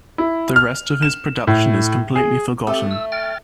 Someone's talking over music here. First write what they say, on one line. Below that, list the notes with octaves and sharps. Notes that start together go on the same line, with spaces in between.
The rest of his production is completely forgotten.
E4
F6
E7
A2
G#4
A3 C4 G4 A4
E6
G5 F6 A6